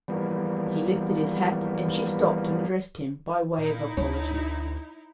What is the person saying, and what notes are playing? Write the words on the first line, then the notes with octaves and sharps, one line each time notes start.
He lifted his hat, and she stopped and addressed him by way of apology.
E3 F3 G3 A#3 B3
A#2 D#4 E4
D2 D4 C#5